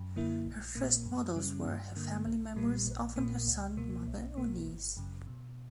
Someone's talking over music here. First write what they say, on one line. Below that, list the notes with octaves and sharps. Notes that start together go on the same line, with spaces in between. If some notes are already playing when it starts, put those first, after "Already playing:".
Her first models were her family members, often her son, mother, or niece.
Already playing: F#2
D3 A#3 E4
A#1
A#2 A#3
F#2
C#3 G3 C#4
G2
D3 A#3
B1
A#2 G3 A#3
A#1
A#2 A#3
C#2
B2 A#3
B1
B2 A#3
G1
F#2 C#3
B2